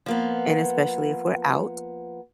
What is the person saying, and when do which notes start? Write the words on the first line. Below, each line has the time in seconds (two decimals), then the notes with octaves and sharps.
And especially if we're out
0.06 F3 A#3 B3